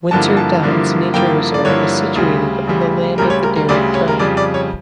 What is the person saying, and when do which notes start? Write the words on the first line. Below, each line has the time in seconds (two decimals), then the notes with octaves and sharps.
Windsor Downs Nature Reserve is situated on the land of the Darug tribe.
0.11 G2 D3 F3 A#3 E4 A5
0.37 A5
0.62 G2 D3 F3 A#3 E4
1.14 G2 D3 F3 A#3 E4 G5
1.54 D5
1.65 G2 D3 F3 A#3 E4 C#5
2.16 D2 C#3 G3
2.67 D2 C#3 G3
3.18 D2 C#3 G3 A#4
3.30 C#5
3.43 A#4
3.56 A#4
3.69 D2 C#3 G3 D5
3.95 C#5
4.08 A#4
4.19 F2 C#3 G3 D5
4.37 D5
4.54 C#5